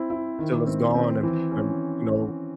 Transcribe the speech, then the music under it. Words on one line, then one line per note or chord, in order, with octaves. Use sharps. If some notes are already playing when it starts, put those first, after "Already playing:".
until it's gone and and, you know,
Already playing: C4 E4
E4
D#3
C4
C4
E3
C#4